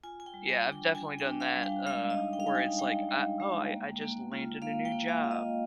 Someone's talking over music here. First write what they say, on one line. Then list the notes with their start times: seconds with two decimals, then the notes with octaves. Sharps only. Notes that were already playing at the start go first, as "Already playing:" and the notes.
Yeah. I've definitely done that, uh, where it's like, "Ah, oh, I I just landed a new job,"
0.04 F4 G#5
0.20 G#5
0.26 G5
0.34 G3
0.49 G#5
0.64 D4
0.72 G5
0.94 D4 G#5
1.19 G5
1.26 D4
1.40 F5
1.56 G3
1.63 G5
1.87 G#3 F5
2.10 D#5
2.17 D#4
2.33 G5
2.40 F5
2.47 D#4 G5
2.55 G#5
2.79 G#3 G5
3.09 G#3
3.40 G#3
3.70 A#3
4.01 A#3
4.32 F4
4.62 A#3 F5
4.85 G5
4.92 A#3
5.08 F5
5.24 F4
5.31 D#5